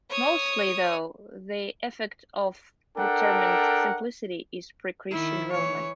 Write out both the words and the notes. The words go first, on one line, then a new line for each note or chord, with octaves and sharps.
Mostly, though, the effect of the determined simplicity is pre-Christian Roman.
C#5 D#6
D4 A4 A#4 F#5 G5
D#3 E4
E3 C#5